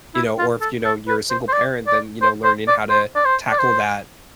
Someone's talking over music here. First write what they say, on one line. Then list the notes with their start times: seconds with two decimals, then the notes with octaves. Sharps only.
you know, or if, you know, you're a single parent, then, you know, learning how to tackle that
0.15 E4
0.38 F4
0.61 A4
0.85 A4
1.07 B4
1.30 C5
1.48 C5
1.52 D5
1.87 D5
2.22 C5
2.44 C5
2.67 D5
2.90 C5
3.15 D5
3.25 C5
3.51 D5
3.59 C5